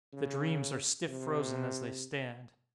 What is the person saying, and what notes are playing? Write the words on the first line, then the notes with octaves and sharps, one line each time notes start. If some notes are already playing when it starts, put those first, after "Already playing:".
The dreams are stiff-frozen as they stand.
C#3
C3